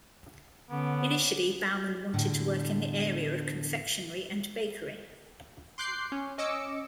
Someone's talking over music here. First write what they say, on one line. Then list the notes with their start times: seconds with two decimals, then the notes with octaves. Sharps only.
Initially, Baumann wanted to work in the area of confectionery and bakery.
0.71 D3 B3 C#4 D6
2.14 E2 A2 D3
5.78 C6 D6 F#6 G6 C7
6.12 C#4
6.38 C#4 D#5 D6 E6 C#7